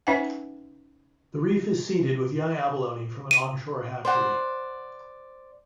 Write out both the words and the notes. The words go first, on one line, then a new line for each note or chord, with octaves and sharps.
The reef is seeded with young abalone from an onshore hatchery.
C#4 D#4 B4 E5 F#5 G#5
D#7
C5 D5 F#5